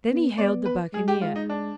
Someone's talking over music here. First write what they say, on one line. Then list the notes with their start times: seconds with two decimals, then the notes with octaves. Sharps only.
Then he hailed the buccaneer.
0.09 B3
0.37 B3 D5
0.65 B4
0.93 G#3 G#4
1.08 G4
1.21 F4
1.36 D#4
1.49 D4